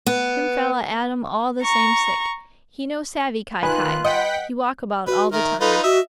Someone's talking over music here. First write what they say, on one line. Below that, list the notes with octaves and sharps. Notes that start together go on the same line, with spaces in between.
Him fella Adam all the same sick; he no savvee kai-kai; he walk about all the time.
B3
A#5 C#6
D#3 F4 B4 G#5 B5 F#6
D#5 F#5 G5 B6
F#4 B4
D#3 A#4 E5
D#4 F4 A4 B4
F#4 D#5 E5